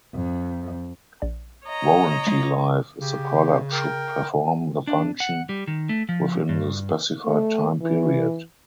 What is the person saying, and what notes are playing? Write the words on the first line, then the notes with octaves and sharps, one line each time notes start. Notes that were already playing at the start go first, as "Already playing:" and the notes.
Warranty life is the product should perform the function within the specified time period.
F2
A#1 D5
C#5 D#5 A#5
F#3 G#3
C#3 G4
A#4 G5
D4
F#5
G3
D#3
A3
F3
G2
A3
E3